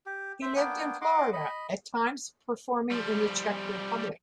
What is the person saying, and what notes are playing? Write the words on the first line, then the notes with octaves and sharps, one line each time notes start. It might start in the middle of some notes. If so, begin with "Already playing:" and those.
He lived in Florida, at times performing in the Czech Republic.
G4
C5 E5
A#3 B3 D4 G5
D#5 F#5 C6 D6
D#5 B5
F3 G3